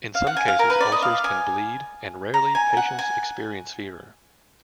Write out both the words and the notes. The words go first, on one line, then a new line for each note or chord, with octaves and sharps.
In some cases, ulcers can bleed and, rarely, patients experience fever.
F5
F#5
G#5
F5
A#4
B4
D5
D#5
F5
G#5
A#5
G#5
F#5
G#5